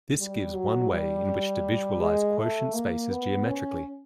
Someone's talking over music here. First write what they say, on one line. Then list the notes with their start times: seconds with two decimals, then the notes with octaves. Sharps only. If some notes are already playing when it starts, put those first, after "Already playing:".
This gives one way in which to visualize quotient spaces geometrically.
0.17 G3
0.54 F#3
0.91 G3
2.01 G#3
2.37 A3
2.74 A#3
3.10 B3
3.47 C#4